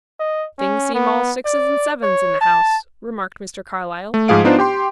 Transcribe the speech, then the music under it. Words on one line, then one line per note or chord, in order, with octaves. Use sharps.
"Things seem all sixes and sevens in the house," remarked Mr. Carlyle.
D#5
C#4
B3
D5
C#5
A5
A3
G#2 F3 G#4 F5 D7
B3 D4 D#4 F4 C5
G4 G5 C6